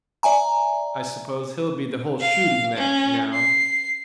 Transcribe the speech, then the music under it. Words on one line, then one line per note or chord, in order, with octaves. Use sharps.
"I suppose he'll be the whole shooting match, now."
D5 E5 G#5 A#5
F5
C#4
C7